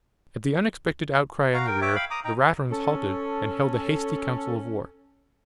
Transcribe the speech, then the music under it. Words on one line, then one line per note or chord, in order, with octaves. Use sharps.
At the unexpected outcry in the rear the Raturans halted, and held a hasty council of war.
F#4 F5 A#5
A#4 G5
C#5 E5 G5 D6
F5 G5 B5
A#5 D6 D#6
D#4 G5 A#5
C#4 A4